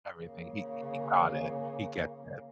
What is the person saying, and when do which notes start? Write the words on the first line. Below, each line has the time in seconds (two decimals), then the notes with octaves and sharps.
Everything, he he got it. He gets it.
0.20 C#3 A#3